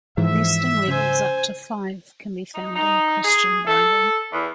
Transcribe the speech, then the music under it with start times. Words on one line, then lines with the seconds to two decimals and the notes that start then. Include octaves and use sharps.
Nesting levels up to five can be found in the Christian Bible.
0.17 G#2 E3 F3 E5
0.88 C#3 C5 G#5
2.54 D#4
2.76 D#4
3.25 G#4
3.66 A4
4.33 E2